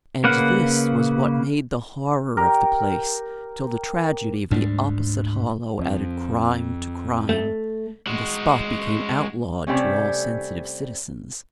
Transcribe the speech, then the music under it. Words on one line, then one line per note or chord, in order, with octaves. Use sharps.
And this was what made the horror of the place till the tragedy of the opposite hollow added crime to crime, and the spot became outlawed to all sensitive citizens.
C#3 A#3 B4 F#5
G4 A#4
D2 G#2 G3 D4
F2
A3
G#3 F#4
C3 G3 A3 C#4